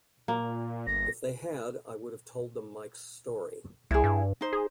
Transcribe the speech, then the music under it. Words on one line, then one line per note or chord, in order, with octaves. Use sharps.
If they had, I would have told them Mike's story.
A#2 A#3
G1 A#6
C2 E4 G#4
G2
D#4 C5
G#4